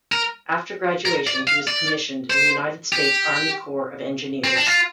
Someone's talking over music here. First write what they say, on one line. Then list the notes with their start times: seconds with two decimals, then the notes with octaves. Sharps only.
After graduation he was commissioned in the United States Army Corps of Engineers.
0.12 A#4
1.05 A#4
1.27 D5
1.47 F5
1.67 D5
2.30 C5
2.92 G4
4.44 C4
4.55 D4
4.66 F4